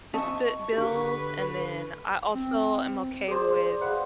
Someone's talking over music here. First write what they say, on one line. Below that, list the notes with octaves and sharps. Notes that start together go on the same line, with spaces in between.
to split bills and then, I also am okay with
C4 D#5 E5 A5 C#6
D3 G4 B4
C4
G#4 C5 D5
B4 F5 F#5